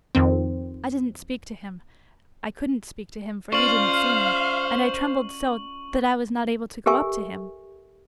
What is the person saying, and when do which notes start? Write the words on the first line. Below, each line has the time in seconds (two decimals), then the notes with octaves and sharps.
I didn't speak to him--I couldn't speak to him, for he didn't see me, and I trembled so, that I was not able to go up to him.
0.15 F2 D#3 C4
3.53 C#4 F4 C5 D5 F5 C#6 F#7
6.86 G4 A4 A#4 E5 G#5 C#6